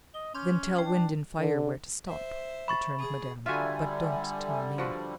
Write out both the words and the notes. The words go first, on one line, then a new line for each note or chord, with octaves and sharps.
"Then tell Wind and Fire where to stop," returned madame; "but don't tell me."
D#5 G7
C#4 C6 D6 G6
D4 G5
D3
C5 E5
B5 C#6 A6
G#4
D3 G3 F4 F#4 E5 G#5
F3 F#4 B4